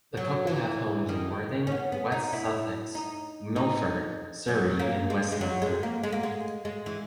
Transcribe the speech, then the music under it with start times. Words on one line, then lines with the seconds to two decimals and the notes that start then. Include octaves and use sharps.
The couple have homes in Worthing, West Sussex, Milford, Surrey and Westminster.
0.17 F#3
0.47 E3
1.09 D#3
1.67 C#4
1.72 B3
1.92 B3
2.12 D#4
2.33 E4
2.95 D#4
3.56 D#4
4.48 F#3
4.79 A#3
5.10 G#3
5.32 G#3
5.41 F#3
5.62 G#3
5.83 A#3
6.03 G#3
6.12 A#3
6.23 G#3
6.65 G#3
6.86 E3